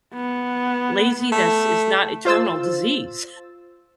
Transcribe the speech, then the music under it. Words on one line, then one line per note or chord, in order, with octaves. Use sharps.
"Laziness is not a terminal disease,"
B3
A3
F4 C5 E6 A6